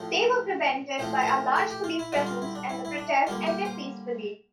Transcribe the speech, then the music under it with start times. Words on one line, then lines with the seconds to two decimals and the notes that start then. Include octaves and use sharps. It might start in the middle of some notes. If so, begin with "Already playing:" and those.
They were prevented by a large police presence and the protest ended peacefully.
Already playing: A2 F3 C4 A4
0.98 A2 F3 A3 C4 C5
1.21 C5
1.28 A#4
1.56 A4
1.70 G4
1.84 F4
1.99 E4
2.12 D3 G3 C4 F4
2.26 F4
2.42 E4
2.55 D4
2.69 E4
2.85 E4
2.98 D4
3.27 D3 G3 A#3 F4
3.47 G4
3.65 C5